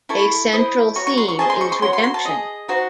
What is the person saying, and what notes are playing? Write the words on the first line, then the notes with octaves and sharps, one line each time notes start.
A central theme is redemption.
E4 A4 C#6
E4 C5 D#5 D#6
F#4 C#5 C#6
C#6
C6
C#6
G#4 C5 D#5 A5
C6
C#6
C6
F#4 C#5 C6
C6
C6
A5
G#4 D#5
D#4 F#4 C5 F#5